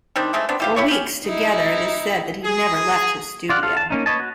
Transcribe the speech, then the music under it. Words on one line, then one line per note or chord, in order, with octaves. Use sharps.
For weeks together it is said that he never left his studio.
D#3 G3 C4 D4
E3 G#3 A3 C4
B3 C4 D4
E3 G4 F5
E4 G4 C#5 C#6
C#4 G4
D#4 E4
G#4
F4 D5 F5 F#5
F4 A4 F5
A5
A#3 C#4 D#4
B4 C#5 D#5 A5
F#4